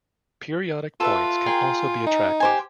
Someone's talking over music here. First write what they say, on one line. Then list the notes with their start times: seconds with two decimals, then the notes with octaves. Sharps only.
Periodic points can also be attractive.
1.00 F4 A4 B4 E5
1.46 G#4 A#4 G5
2.06 D#4
2.40 G4 C5 G#5